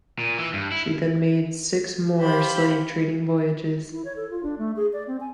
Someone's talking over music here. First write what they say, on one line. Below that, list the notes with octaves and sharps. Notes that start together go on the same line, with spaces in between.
She then made six more slave trading voyages.
A#2
E3
G2
E4
G4 C5 F5 B5
E4
C#5
A4
F4
D4
A3
G#4
D5
C4
G#5